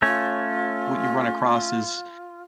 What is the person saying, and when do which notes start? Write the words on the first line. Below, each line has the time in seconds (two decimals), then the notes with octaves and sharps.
what you run across is
0.02 A3 C#4 F4 C#5